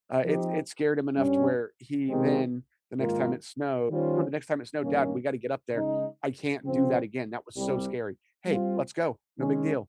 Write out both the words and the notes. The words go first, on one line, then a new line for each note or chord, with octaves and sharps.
uh, it s it scared him enough to where he then, the next time it snowed no, the next time it snowed, "Dad, we gotta get up there. I can't do that again, that was so scary." "Hey, let's go, no big deal."
F3 C4 D#4 G4
G2 G3 C#4
C3 D#3 G#3 C4 G4
G#2 D#3 A#3 F4 A#4
D#3 G3 C#4 F4 C5
G2 D#3 A#3 C#4
C#3 G#3 D#4
C#3 F3 C4
C2 C3 G3
G3 C4 F4
D#3 G#3 C#4